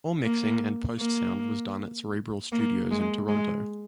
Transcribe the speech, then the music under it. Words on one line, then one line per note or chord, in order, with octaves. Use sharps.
All mixing and post sound was done at Cerebral Studios in Toronto.
A#3
A#3
A#3
G#3
G#3